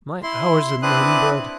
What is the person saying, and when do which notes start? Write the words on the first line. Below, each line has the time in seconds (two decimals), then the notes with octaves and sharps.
My hours are numbered.
0.23 E4 C6
0.82 C4 D4 E4 B4 D#6 F#6